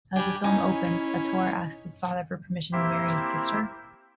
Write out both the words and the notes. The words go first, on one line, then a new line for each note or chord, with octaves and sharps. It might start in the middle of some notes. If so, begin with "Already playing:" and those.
As the film opens Ator asks his father for permission to marry his sister.
G3 D4 G4 G#5
C#4 D#4 E4 G#5
A#3 C4 E4 G4 C5 E5